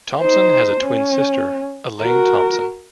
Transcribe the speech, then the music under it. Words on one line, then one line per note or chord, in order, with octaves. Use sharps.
Thompson has a twin sister, Elaine Thompson.
D#4 C5
C#4
F#4 A#4